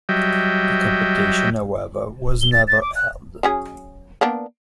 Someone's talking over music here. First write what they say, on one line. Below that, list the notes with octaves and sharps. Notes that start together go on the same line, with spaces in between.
The competition, however, was never held.
F#3 G3 D#5 E5 G5
G7
A6
A6
D6
F#6
F#3 C#4 G#4
A#3 B3 D4